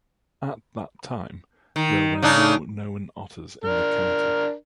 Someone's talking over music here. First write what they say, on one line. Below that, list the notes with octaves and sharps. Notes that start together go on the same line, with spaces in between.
At that time, there were no known otters in the county.
D#3
C#3 D4 D#4
D4 A#4